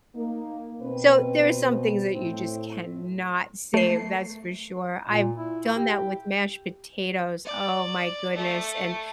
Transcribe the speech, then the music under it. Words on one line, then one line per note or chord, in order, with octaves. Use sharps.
So, there are some things that you just cannot save, that's for sure, I've done that with mashed potatoes, oh my goodness, and
A#3 D#4
B2 C4 B4
A2 C4
A3 C7
A#2
E4
G4
D5
A3